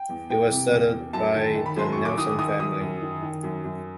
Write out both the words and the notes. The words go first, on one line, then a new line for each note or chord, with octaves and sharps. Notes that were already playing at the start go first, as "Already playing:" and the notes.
It was settled by the Nelson family.
Already playing: G5
E2
E3 G5
C3
E2
E2
F#2 A5
D#3
D#3
B5
F#2 C6
C#6
F#2
D6
D#3 D#6
D#3 D#6
F#2 D#6
F#2
D#3
D#3
F#2
F#2